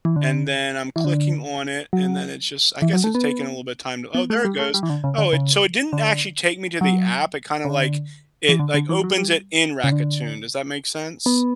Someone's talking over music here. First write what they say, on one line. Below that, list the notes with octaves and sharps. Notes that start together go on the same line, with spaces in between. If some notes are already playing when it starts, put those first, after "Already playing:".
and then I'm clicking on it, and then it's just I guess it's taking a little bit of time to oh, there it goes. Oh, it so it didn't actually take me to the app, it kinda, like, it, like, opens it in Rakuten, does that make sense?
E3
D3
E3
D3
F#3
E3
F#3
A3
B3
B3
A3
G3
A3
G3
E3
D3
C#3
D3
C#3
D3
F#3
C#3
D3
E3
D3
D3
E3
F#3
G3
C#3
D3
B3